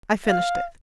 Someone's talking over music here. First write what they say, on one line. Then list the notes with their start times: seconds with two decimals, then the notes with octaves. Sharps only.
I finished it.
0.26 F5